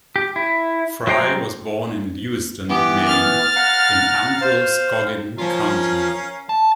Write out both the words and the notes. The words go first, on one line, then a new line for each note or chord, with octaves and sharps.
Frye was born in Lewiston, Maine, in Androscoggin County.
G4
E4
F#3 G#3 C5 G5 A#5
E3 B3 G4
F6 A6
F5 F#5 A#5
C5 F5
C#4 F4 A#4 C5 F5
A5